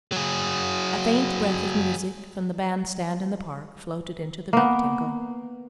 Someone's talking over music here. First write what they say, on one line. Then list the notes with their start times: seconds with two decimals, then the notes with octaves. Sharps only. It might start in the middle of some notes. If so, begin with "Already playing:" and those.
A faint breath of music from the band-stand in the park floated into the Rectangle.
0.12 F#3 G#4
4.53 A#3 B3